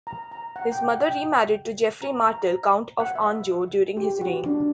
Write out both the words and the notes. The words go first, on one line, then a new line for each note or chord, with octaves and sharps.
His mother remarried to Geoffrey Martel, Count of Anjou, during his reign.
A#5
A#5
F#5
G5
F#5
G5
A#5
A#5
F#5
E5
E5
G4
F#4
D4